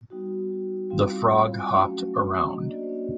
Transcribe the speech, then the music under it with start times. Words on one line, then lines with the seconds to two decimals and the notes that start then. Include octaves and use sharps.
The frog hopped around.
0.10 G3 B3 D#4 F#4
0.90 G3 C4 E4 F4 F5
1.69 F#3 A3 C#4 F#4
2.49 A#3 D4 D#4 F#4 D#5
2.69 D4 D5
2.83 C5
2.89 C#4 C#5